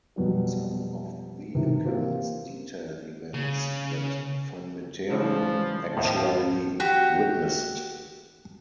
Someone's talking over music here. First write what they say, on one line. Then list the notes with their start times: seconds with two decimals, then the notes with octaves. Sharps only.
Some of the accounts detail events that van Meteren actually witnessed.
0.16 F2 B2 F#3 G3
1.54 G#2 C3 D#3 E3
1.85 E3 A#3 C4 F4 G4
3.34 C#3
5.10 C#3 E3 F3 G3
5.97 D#2 A2 F3 B3
6.80 F#4 G4